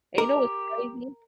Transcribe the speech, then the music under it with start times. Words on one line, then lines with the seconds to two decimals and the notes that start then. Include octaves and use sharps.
And you know what's crazy?
0.18 G4 A#4